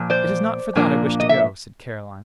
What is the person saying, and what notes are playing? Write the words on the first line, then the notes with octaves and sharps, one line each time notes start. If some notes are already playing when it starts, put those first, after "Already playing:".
"It is not for that I wish to go," said Caroline.
Already playing: A#2 F3
C5 D5
A#2 F3 A#3 D4
D#5
E5